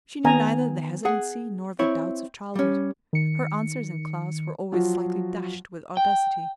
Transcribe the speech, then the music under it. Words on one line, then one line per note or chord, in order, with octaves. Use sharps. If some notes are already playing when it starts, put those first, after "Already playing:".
She knew neither the hesitancy nor the doubts of childhood. Her answers in class were always slightly dashed with audacity.
D#3 B3 G#5 A#5
G#4 F#5
C4 E4 C#5
G3 C#4
D#3 C#7
F3 F#3 F4 F#4
G5